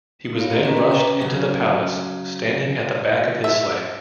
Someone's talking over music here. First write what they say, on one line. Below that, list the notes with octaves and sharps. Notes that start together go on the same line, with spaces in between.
He was then rushed into the palace, standing at the back of his sleigh.
D#4
B3 G4 A#4 C#5 F5
A#3 C4 D4 A#4 D#5
C#4 F#4 G#4 A#4 B4 A#5
B4 C#5 G5 A#5
C#4 A#4 B4 C#5 A#5 D6
C#3 F#3
E5